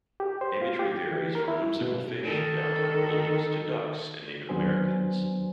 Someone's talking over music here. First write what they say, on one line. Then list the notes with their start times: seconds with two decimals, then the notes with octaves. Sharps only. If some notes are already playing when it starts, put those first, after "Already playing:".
Imagery varies from whimsical fish and downtown buildings to ducks and Native Americans.
0.20 G4
0.41 C5
0.62 F4
0.79 G4
1.12 E3
1.35 A#4
1.48 E4
1.81 B2
2.22 D#3 A4
4.49 D#2 F#3 B3 D4 C5 G#5